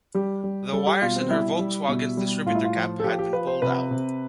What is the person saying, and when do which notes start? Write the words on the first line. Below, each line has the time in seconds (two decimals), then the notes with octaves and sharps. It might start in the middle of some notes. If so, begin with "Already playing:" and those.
The wires in her Volkswagen's distributor cap had been pulled out.
0.15 G3 G4
0.44 G3
0.73 G3 A4
0.87 G4
1.02 B2 F4
1.16 C4
1.30 G3 E4
1.59 G3
1.88 B2
2.17 G3
2.46 A2 F4
2.55 E4
2.64 F4
2.76 F3
3.00 A4
3.04 F3 G4
3.19 G4
3.33 F3 B4
3.47 C5
3.62 C3 B4
3.91 C3